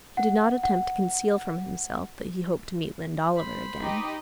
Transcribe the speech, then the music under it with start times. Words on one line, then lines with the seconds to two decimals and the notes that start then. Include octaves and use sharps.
He did not attempt to conceal from himself that he hoped to meet Lynde Oliver again.
0.17 F#5
0.63 F#5
3.33 C5 B5
3.81 D#4 G4 D#5